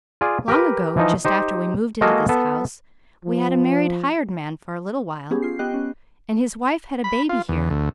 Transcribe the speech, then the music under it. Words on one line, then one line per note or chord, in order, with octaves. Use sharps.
Long ago, just after we moved into this house, we had a married hired man for a little while, and his wife had a baby here.
F4 G#4 D5
G4 A#4 B4
E3 F3 D#4
D#4 G4 C5
G#3 A#3 F#4 A4 D#5 F5
B3 A4
F3
B3 C#4 G4 G#4
F4 C7
B3 G4 D#5 G5 F#6
B3 C#4
B5
F4
E2
D2